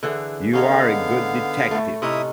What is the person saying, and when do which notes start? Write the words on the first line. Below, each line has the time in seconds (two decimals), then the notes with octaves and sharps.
You are a good detective.
0.03 D3 E3 G#4
0.53 D3 B3 C#4 D#4 G#4 F5
1.71 A2 A3
2.02 C3 C#4 D#4 E4 E5 D#6